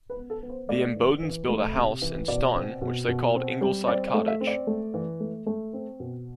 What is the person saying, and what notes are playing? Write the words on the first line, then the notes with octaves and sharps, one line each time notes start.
The Imbodens built a house in Staunton which they called the "Ingleside Cottage".
B4
B3
A4
B3
C5
A3 D5
E3
E3
A3
C3
E3
B2 D5
C4
B2
B2
C4
G3
C4 D5
D5
A3
E5
C4
D5
A3
E3
A3
A3
C4
B2